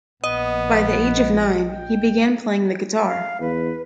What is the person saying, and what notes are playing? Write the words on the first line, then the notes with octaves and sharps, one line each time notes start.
By the age of nine, he began playing the guitar.
A#1 B3 D#5
G5
F5
E2 B4